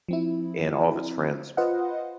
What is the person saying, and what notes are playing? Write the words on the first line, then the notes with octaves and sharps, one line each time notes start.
and all of his friends?"
F3 C4 E4
F4 B4 C5 D#5 F5 F#5